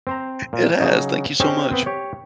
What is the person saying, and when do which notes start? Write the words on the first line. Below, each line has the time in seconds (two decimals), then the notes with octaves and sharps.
It has, thank you so much.
0.07 C4 C5 A#5
0.53 A#2
0.80 C#3 F#3 D#4
1.40 C4 C#4 D#4 G4 G#4 C5
1.71 B3 C4
1.86 G4 C#5